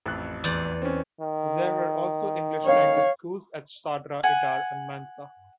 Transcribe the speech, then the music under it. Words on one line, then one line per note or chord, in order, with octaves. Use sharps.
There were also English language schools at Sadra, Idar and Mansa.
A1 F2 F#6
E2 D5
C4 C#4
D#3
C#5 F5
F#5 G#5